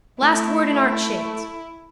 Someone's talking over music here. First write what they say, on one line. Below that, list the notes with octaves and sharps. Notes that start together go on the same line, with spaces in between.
Last word in art shades.
A3 E4